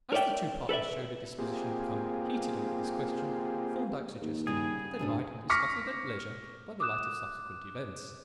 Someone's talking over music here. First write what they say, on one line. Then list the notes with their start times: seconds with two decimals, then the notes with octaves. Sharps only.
As the two partners showed a disposition to become heated over this question, Thorndyke suggested that they might discuss it at leisure by the light of subsequent events.
0.13 A#4 C#5 D5 E5 G5
0.69 A4 B4 D5 E5
1.39 A#3 C4 F4 G4 G#4
4.21 D#2
4.47 G2 C#3 G#4
4.99 D2 A2 C#3 D4
5.50 C#6 D6 F6 A#6 B6 C#7
6.80 D6 D#6 F#6 E7